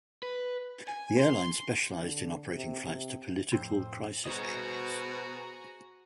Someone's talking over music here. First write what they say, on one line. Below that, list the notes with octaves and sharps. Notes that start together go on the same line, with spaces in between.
The airline specialized in operating flights to political crisis areas.
B4
G#5
C6
D3
C3
C3
F2 A2 C4 C5
B2 F#4 G#4 C5 D#5 G#5 A#5